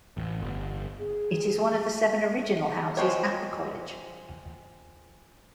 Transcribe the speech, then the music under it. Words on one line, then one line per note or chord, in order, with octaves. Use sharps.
It is one of the seven original houses at the College.
A1
G1
G#4
F3 G#3 C4 C#5